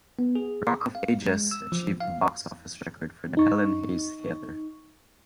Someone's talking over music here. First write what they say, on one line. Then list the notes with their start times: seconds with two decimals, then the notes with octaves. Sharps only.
"Rock of Ages" achieved the box-office record for the Helen Hayes Theatre.
0.19 B3
0.35 G#4
0.95 F5
1.26 G#3
1.51 E6
1.72 F3
2.00 F5
3.37 D#4 C#6